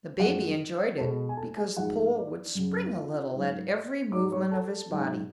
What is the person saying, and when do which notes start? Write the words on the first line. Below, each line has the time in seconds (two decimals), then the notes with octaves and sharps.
The baby enjoyed it because the pole would spring a little at every movement of his body.
0.19 F#2 F3 G#3 F#4 F#5
0.98 B2 G#3 A4 A5
1.29 G#5
1.37 A4 A5
1.57 G#4 G#5
1.77 G#2 F3 G#3 F#4 F#5
2.16 D4 D5
2.55 F#2 C#3 F#3
2.94 F4 F5
3.34 G#2 F#3
4.12 G#2 D5 D6
4.16 F#3
4.32 C#5 C#6
4.51 A4 A5
4.91 G#2 F#3